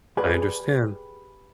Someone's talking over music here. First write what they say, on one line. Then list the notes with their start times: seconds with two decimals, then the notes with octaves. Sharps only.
I understand.
0.17 G4 G#4 B4 D5 G#5